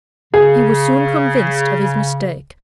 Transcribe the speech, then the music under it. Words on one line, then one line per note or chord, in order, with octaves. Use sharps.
He was soon convinced of his mistake.
C#3 G#4